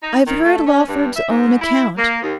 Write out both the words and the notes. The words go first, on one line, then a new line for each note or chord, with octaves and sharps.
I have heard Lawford's own account.
D#4
D#3
A3
C#4
G2
E5
G#2
E4
A#3
D#2